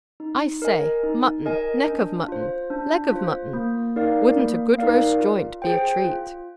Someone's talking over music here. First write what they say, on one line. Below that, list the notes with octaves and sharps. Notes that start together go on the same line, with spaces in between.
"I say, mutton--neck of mutton--leg of mutton! Wouldn't a good roast joint be a treat?"
D#4
A#4 D#5 G#5
D#4
A#4 D#5 G#5
D4
F4 C5
D4
F4 C5
A#3
D#4 A#4 D5 F5
A#3
D#4 A#4 D5 F5
F4
G#4 C5 G5
F4